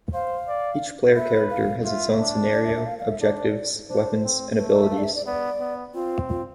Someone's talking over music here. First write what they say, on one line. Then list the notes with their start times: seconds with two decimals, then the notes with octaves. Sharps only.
Each player character has its own scenario, objectives, weapons, and abilities.
0.13 C5 F5
0.48 D5
1.16 B4 E5
1.50 F5
1.84 F4 E5
2.19 D4
2.53 D5
2.64 E5
2.76 E5
2.86 F5
2.99 F5
3.10 E5
3.21 D4 D5
3.90 D4 C5
4.23 C4
4.57 A3 B4
4.69 D5
4.81 E5
4.92 F5
4.98 D5
5.03 E5
5.15 D5
5.26 B3 D5
5.60 B3
5.94 C4 F4
6.29 F4